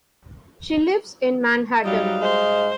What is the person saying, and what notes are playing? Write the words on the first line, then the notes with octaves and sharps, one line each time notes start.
She lives in Manhattan.
G#2 F#3 G3 D#4 F5
G#3 C5